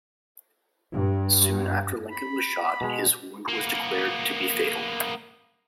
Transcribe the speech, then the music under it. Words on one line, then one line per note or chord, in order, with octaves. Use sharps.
Soon after Lincoln was shot, his wound was declared to be fatal.
G2
B5
B2 G#3
A#3 B3